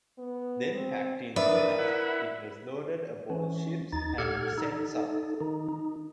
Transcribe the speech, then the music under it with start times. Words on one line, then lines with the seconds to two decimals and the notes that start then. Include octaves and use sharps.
Then, packed in sawdust, it was loaded aboard ships and sent south.
0.18 B3
0.75 C4
1.36 D4 A#4 B4 D5 E5 D#6
1.79 E4 F#5 B5
3.30 E3 C#4
3.92 D#2 D#4 A6
4.18 A#2 G4 A4 F#5 F6 G#6
4.58 D#4 A4
5.41 D#3 D#4
5.69 D#4